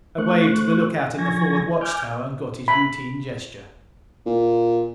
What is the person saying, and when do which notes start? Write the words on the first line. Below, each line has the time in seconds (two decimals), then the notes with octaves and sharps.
I waved to the lookout in the forward watch tower, and got his routine gesture.
0.18 A3 C5 C#6 F#6
1.18 F3 G#5 C#6 G#6 A#6
1.81 G#5 D6 F6 G6
2.68 B5
4.26 A#2